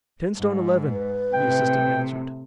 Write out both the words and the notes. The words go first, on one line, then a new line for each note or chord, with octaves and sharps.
"Ten stone eleven," the assistant answered.
G#2
B4
A2 C3 G5